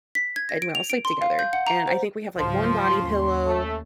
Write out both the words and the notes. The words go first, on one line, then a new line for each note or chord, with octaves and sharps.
and we all sleep together, and I think we have, like, one body pillow
B6
G#6
A#6
D7
F7
D7
C6
F5
G6
F#5
A#5
C5
C#2 G#2 F3 F#3 C6
D#2 C#4
A3